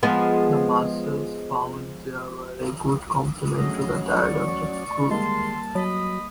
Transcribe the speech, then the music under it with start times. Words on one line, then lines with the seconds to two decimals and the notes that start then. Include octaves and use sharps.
The mussels found there were a good compliment to the diet of the crew.
0.03 F3 G#3 B3
3.59 F#3 A3 C#4 D4 G#4 D#5
4.21 D5 C#6
5.11 D3 D#3 G3 G#3 A#3 A5 C6
5.75 F#3 D#5 B5 D#6